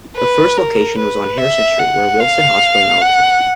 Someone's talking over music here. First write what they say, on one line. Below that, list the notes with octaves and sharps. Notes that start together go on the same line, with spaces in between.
The first location was on Harrison Street where Wilson Hospital now exists.
B4
A#4
B4
E5
F#5
F5
F#5